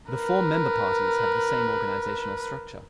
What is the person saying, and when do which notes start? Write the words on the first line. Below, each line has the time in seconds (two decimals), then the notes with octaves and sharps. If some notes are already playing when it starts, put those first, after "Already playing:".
The four member parties have the same organizational structure.
0.11 A#4 B4